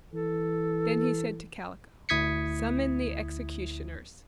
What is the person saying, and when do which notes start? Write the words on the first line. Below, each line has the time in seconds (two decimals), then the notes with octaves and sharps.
Then he said to Kaliko: "Summon the executioners."
0.13 E3 A4
2.09 D2 E4 D#6 G#6 B6 C#7